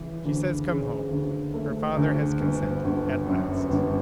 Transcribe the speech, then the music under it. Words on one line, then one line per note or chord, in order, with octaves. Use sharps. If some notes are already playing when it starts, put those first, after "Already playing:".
"She says come home--her father has consented, at last."
Already playing: C#3 E3
D2
C#3
D2
A3
D2
G1
G1
F#2
G1